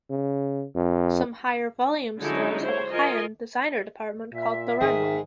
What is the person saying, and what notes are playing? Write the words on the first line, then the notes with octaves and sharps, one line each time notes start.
Some higher-volume stores have a high-end designer department called The Runway.
C#3
F2
D3 F#3 G#3 C#4 D#4 E4
E4 C5 C#5
F4 A#4 D#5 G#5
A#2 E5
G#2 D#3 G#4